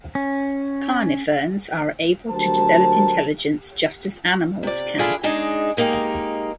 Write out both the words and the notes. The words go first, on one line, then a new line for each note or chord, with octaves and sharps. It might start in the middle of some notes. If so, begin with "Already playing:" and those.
Carniferns are able to develop intelligence just as animals can.
C#4
D2 F#3 G4 A#4 C5 A5
C3 D5
D4 E4 F4 G#4 A4
G#3 D4 D#4 G#4
G#3 A#3 D#4 G4